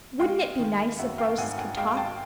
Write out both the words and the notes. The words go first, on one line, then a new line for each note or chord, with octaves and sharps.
Wouldn't it be nice if roses could talk?
G#3 F5 G5
D#3
F#2 E5 F#5
F5 G5
G#1 F#5 G#5
F#5 G#5
G#3 F5 G5
G5 A5